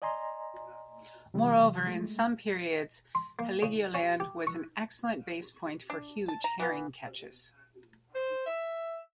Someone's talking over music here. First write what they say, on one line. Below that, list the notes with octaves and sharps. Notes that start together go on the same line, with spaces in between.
Moreover, in some periods Heligoland was an excellent base point for huge herring catches.
D5 D#5 G#5 A#5 C6
C3 E3 G3
G#3 A3
C6
A#3
C#3
C#4
G4
C#6
D4
A5
A#5
E3 B3
C5
E5